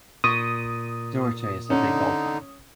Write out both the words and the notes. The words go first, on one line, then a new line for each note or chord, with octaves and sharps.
Dougherty is a big golf fan.
A#2 C#6 D#6
D3 C#4 D#4